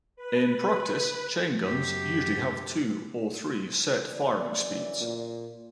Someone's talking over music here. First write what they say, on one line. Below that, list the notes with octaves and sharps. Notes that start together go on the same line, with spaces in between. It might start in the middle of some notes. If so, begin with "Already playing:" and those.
In practice, chain guns usually have two or three set firing speeds.
B4
F#2 G4
F#2 E3 D5
A#2